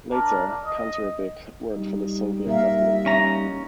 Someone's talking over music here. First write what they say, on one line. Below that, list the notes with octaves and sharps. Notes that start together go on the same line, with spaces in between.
Later, Kantorovich worked for the Soviet government.
D4 A#4
D#5
G3 D#4
A#3 A#4 E5 F5
C#4 A#5